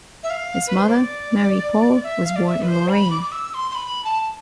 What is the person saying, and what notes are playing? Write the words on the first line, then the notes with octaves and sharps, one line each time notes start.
His mother, Marie-Paule, was born in Lorraine.
E5
F5
B4
C5
D5
E5
F5
D5
E5
B4
C5
B5
D6
D6
E6
C6
C6
B5
A5